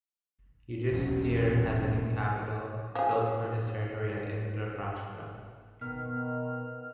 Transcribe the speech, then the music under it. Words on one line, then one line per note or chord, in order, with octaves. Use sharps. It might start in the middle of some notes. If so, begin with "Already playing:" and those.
Yudhishthira has a new capital built for this territory at Indraprastha.
E1 B1 C#4
F3 G#4
B2 D#3 B3 F6